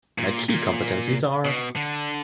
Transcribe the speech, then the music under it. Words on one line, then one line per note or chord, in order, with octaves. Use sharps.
My key competencies are...
A#2
A#2
B2
D3